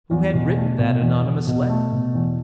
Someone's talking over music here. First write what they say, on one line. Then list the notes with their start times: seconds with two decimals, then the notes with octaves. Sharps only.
Who had written that anonymous letter?
0.11 E2
0.34 B2
0.56 A3
0.79 B2
1.02 E2
1.24 E2
1.47 B2
1.69 A3
1.92 B2
2.15 E2